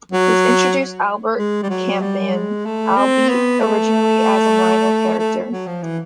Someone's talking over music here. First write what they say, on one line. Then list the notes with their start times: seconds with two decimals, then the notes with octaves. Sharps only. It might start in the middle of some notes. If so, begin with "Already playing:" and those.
This introduced Albert Campion, albeit originally as a minor character.
0.12 F#3
1.38 G#3
1.63 G3
1.70 F#3
2.01 G3
2.34 G#3
2.66 A3
2.97 C4
3.29 B3
3.60 A3
5.19 A3
5.51 F#3
5.67 F3
5.82 E3